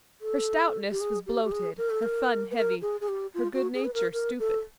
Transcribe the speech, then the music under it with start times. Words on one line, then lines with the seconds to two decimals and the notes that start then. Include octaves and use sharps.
Her stoutness was bloated, her fun heavy, her good-nature stupid.
0.21 A4
0.91 G4
1.00 G#4
1.27 G4
1.44 G4
1.52 G#4
1.78 A#4
1.90 A4
2.02 A#4
2.51 B4
2.56 A#4
2.82 G#4
3.01 G#4
3.08 G4
3.34 F4
3.54 F#4
3.74 G#4
3.85 B4
3.94 A#4
4.13 A#4
4.40 A4